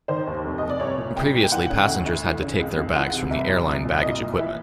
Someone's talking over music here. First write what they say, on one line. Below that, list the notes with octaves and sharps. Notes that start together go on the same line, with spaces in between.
Previously passengers had to take their bags from the airline baggage equipment.
D#3 C5
D#2
F1
F1 D#5
D5
C2 C#5
A#2
C2 G5
A#2
G5
E3 F#5
C#3
D2
D2
E3
C#3
C#2
C#2
E3 F#5
C3
C2 E5
C2
C2
A#2
C2 D#5
A#2
E3 E5